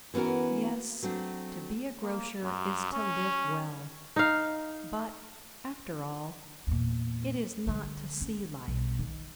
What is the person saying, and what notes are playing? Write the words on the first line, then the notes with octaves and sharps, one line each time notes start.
Yes, to be a grocer is to live well; but, after all, it is not to see life.
E3 B3 C#4 F#4 A#4
F#3 A3 C4 D4
A#3
F#2
C#4
D#4 F5
E2 A#2
D3 G3
C#4
B1 G3
D#3